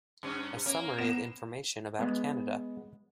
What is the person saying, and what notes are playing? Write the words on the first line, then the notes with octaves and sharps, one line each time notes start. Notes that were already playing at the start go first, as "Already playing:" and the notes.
A summary of information about Canada.
G2 C#4
A#3 C#4
B3 A#6 E7
G#3 B3